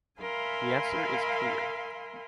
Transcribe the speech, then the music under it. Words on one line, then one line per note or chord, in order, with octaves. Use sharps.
The answer is clear.
A#4 E5 F5 G#5 B5 C6